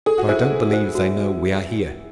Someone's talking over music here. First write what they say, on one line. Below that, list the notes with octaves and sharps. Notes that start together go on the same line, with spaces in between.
But I don't believe they know we are here.
G#4 A4
F#4
E4 G#4 C5
A4
C5
F#4
C5